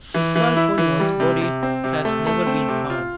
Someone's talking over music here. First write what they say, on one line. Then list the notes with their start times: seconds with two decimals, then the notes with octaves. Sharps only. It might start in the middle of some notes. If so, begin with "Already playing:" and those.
Falconio's body has never been found.
0.14 E3
0.36 E3
0.56 E4
0.78 E3
1.00 G3
1.20 C3
1.41 C3
1.63 C4
1.84 C3
2.05 A3
2.27 A3
2.47 C4
2.69 C3
2.90 F4